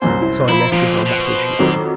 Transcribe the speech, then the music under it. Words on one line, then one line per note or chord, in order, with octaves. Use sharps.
So I left it on that issue.
C2 F#2 A#2 C5 G#5
E4
F3 E4 A#5 B5
F2 A#2 F3 D7
B2
F2 D#3 F#3